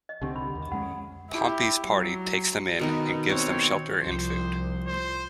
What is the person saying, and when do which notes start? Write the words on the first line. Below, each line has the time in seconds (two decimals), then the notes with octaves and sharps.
Pompey's party takes them in and gives them shelter and food.
0.09 D#5
0.21 C2 D3 C4 D#4 G4 F#5
0.36 B5
0.55 D#2
0.72 F2 G#3 C#4 F#5 B5
1.30 E4 G4
1.85 F#3
2.79 B2 D#3 B3 D#4
3.29 C4 F#4 C#5
4.02 C2 F3 C5
4.87 C5